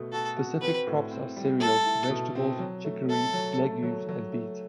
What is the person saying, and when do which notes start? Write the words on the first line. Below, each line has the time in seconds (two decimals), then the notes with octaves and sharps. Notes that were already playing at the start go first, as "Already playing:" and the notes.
Specific crops are cereals, vegetables, chicory, legumes, and beet.
Already playing: B2 A3
0.12 F#4 A4
0.37 F#4
0.61 C4 B4
0.87 A2
1.11 C4
1.36 G3
1.60 A3 A4
1.85 E4
2.10 B2
2.35 C4
2.59 F#3
2.85 A3
3.08 A3 A4
3.33 F#3
3.58 A3
3.83 F#3
4.09 F#3
4.32 A3